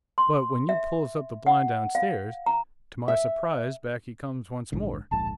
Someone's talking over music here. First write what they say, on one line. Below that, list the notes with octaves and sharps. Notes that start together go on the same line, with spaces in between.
But when you pulls up the blind downstairs, to my surprise back he come once more.
C6
E5
F#5
F5
A#5
E5
A#1 G#2 D3
D1 A#1 G#2 A5